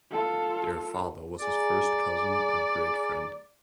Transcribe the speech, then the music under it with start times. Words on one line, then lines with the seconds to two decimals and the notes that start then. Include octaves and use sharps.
Their father was his first cousin and great friend.
0.11 F4 A4
1.40 G#4 D5 G#5 A#5